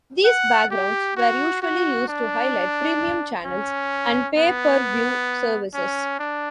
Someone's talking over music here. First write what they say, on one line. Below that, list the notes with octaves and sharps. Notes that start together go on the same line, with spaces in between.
These backgrounds were usually used to highlight premium channels and pay-per-view services.
F#5
G4
F#4
F#4
D4
C#4
B3
C#4
D4